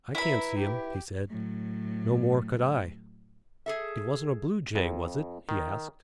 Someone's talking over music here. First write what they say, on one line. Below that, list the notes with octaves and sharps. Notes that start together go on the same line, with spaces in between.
"I can't see him," he said. No more could I. "It wasn't a blue jay, was it?" he asked.
E4 B4 E5 A#5 B5
G4
A2 F#3
G#4 A4 E5
F2
D#3